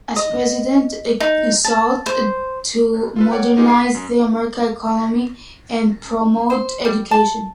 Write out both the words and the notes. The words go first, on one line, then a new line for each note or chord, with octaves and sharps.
As president he sought to modernize the American economy and promote education.
D#5
D#4
A5
C5
F4 A4 B4
C#5 D5 F#5 G5
A#3 B3 D#4 F4 G4 G#4
F5 D6 C7
B6
F#2
C5
G3
A5